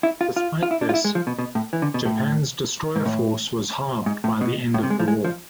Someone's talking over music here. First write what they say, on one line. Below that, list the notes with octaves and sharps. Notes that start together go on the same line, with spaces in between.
Despite this, Japan's destroyer force was halved by the end of the war.
E4
F4
F4
F4
E4
D4
F4
E4
G#3
F3
B2
B2
A2
E3
D3
B2
A2
G#2
A2
G#2
A2
B2
A2
C3
G#3
F3
G#3
F3